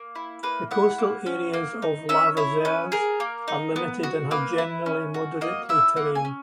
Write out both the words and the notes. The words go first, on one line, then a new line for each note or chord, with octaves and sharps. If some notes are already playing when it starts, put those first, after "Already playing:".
The coastal areas of Lavezares are limited and have generally moderately terrain.
Already playing: A#3
E4
A#3 B4
E4 F#5
A#3
C#4
A#3
D#4
C#4 E5
E4 C#5
C#4 B4
G#4 A#4
A#3
D#4
B3
F#4
A#3 B4
E4
C#4
F#4
A#3 D#5
E4 E5
A#3 F#5
G#5
C#4